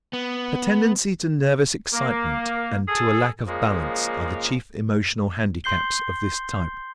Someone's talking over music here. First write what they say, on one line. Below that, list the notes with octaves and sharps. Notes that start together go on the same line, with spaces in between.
A tendency to nervous excitement and to a lack of balance are the chief emotional handicaps of this type.
B3
A#3
G#4 A4
A#2 C#3 F3 G#3 A#3
C6 G6 C7 G7